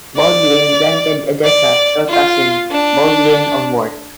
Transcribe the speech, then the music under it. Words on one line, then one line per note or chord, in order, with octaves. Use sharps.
Baldwin granted Edessa to a cousin, Baldwin of Bourcq.
D5
D5
F4
D4